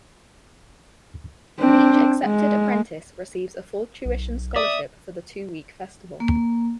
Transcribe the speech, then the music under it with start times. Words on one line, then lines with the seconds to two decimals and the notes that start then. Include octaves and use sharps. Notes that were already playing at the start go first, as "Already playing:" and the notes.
Each accepted apprentice receives a full tuition scholarship for the two-week festival.
1.60 C4 D4
2.25 G#3
4.05 B1
4.56 D5 E5 D#6
6.20 A#3